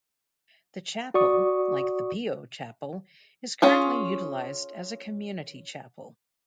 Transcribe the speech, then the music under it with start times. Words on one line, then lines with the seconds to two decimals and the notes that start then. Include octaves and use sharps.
The chapel, like the Pio chapel, is currently utilized as a community chapel.
1.14 F#4 D5 C#6 D#6
3.62 C#4 F4 G#4